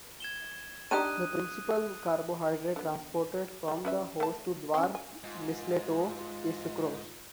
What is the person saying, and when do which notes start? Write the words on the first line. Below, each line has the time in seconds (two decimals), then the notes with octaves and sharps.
The principal carbohydrate transported from the host to dwarf mistletoe is sucrose.
0.20 G#6 E7 G7
0.91 D4 D#4 G4 D#6 F#6 D#7
2.76 D3 B3
3.68 G3
3.85 C#4 B4 E5
4.20 A3 A5
4.74 C4 C#4
4.95 G#5
5.24 G#2 F4